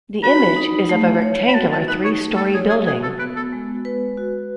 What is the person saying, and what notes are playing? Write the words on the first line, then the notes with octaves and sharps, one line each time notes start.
The image is of a rectangular three-story building.
F#4 B5
D#4
A3
C#5
B5
F#4 A5
A5
D#4 B4
C#5
A3
A4
G#4 C#5
G#4
F#4 G#4
A4
B3 B4
A4
G#3
B4
F#4